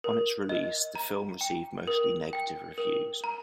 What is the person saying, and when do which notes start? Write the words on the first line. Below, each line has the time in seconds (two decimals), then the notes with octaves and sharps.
On its release, the film received mostly negative reviews.
0.04 A#4
0.49 D#5
0.95 A#5
1.41 G5
1.87 A#4
2.33 G5
2.78 A#4
3.24 A#5